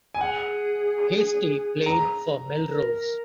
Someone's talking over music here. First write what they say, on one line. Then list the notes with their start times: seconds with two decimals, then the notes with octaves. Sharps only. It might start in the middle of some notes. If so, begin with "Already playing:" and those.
Hastie played for Melrose.
0.15 G#5
0.21 G#4 F#5
1.86 A#5
2.69 A#4